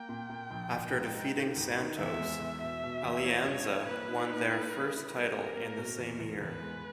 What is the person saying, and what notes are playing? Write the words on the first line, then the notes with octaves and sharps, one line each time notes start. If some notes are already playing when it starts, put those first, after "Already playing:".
After defeating Santos, Alianza won their first title in the same year.
Already playing: A#3 G5
A#2
A#2
A#1
G#1
G#2
G#2
D#3
G#1
D#3
E2 E5
G#3
E2
B2 E5
B2
E2
E3 C#5
G2
E3
A#3 B4
D#4
D#4
A#3
G3
E4
G3 A#4
G3
A#3
B2
E2
E2
E2 B4
G#3